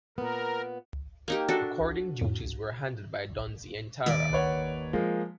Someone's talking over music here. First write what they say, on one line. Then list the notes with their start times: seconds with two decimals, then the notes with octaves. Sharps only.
Recording duties were handled by Don Zientara.
0.18 A#2 B3 A#4
1.28 A#3 D#4 G4
1.48 D4 F#4 A4
2.21 F2 A2
4.06 D#2 D5
4.33 B4 C#5 F#5
4.93 F3 G#3 A#3